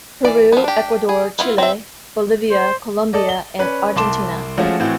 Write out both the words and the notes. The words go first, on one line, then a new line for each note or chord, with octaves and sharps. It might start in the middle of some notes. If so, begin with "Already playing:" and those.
Peru, Ecuador, Chile, Bolivia, Colombia and Argentina.
E3 D5
F3 B3
D4 G4
G#4
B3 E4 F4
C4 E5
C5
A4 D5 D#5
G7
C#4 B4 D5
C2 A5 C6 D6 E7
F3 G#3 A3 C#4 F4 F#4
A2 E3 C4 F#4